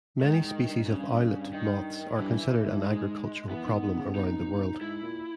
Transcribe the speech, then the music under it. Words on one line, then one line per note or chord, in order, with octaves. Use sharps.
Many species of owlet moths are considered an agricultural problem around the world.
G#2 D#3
G#2
G2
G#2
G2 C#3
D#3
G2 E3
G#2
G#3
E3 B3
D#3
D#3
C#3
B2 D#4
G#2 E4
A#2